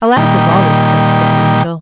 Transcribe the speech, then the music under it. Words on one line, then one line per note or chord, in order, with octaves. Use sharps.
"A laugh is always good," said the Angel.
A#2 D#3 G3